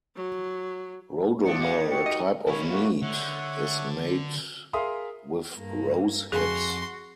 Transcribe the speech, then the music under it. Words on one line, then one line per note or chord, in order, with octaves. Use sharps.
Rhodomel, a type of mead, is made with rose hips.
F#3
E3 F3 D4 E4 C#7
G3 G#3 F#4 F5
D#4 F#4 G4 C#7
D#5
D#3 C#4 E4 C#5
A3 A#3 F#4
D3 C#5 E5 F#5
G#4 A#4 E5 F5 C6 D#6
G2 A#3
F2 F#4 G#4 F5 G#5 C6